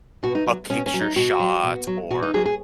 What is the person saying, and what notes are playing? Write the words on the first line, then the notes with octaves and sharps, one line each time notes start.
a picture shot or,
B2 F#4
D#4
F#3
B2 C#4
C#4
F#3
D#4
B2 F#4
F#3
B2
F#3
B2 F#4
D#4
F#3 G#4
G#4